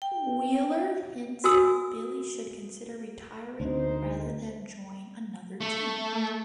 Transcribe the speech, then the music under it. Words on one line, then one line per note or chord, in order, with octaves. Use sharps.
Wheeler hints that Billy should consider retiring rather than join another team.
G5
F#4 A#4 G#5 D#6 E6
D2 D#4 C5
A3